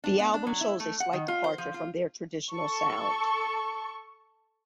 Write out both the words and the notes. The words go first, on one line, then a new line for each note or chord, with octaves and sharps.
The album shows a slight departure from their traditional sound.
D4
B3
D4
F#3
E4
A3
F#5
D#3
F4
C5
F3
F4
A4 C#6